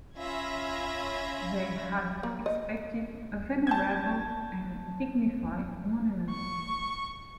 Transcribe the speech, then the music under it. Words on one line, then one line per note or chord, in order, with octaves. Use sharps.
They had expected a venerable and dignified monument.
C#4 F4 E5 B5 G#6 A#6
A#3
D#5
A5 G6 G#6
C#6